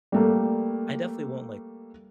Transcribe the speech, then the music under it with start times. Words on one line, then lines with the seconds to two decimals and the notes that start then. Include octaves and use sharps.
I definitely won't, like,
0.12 G3 A3 A#3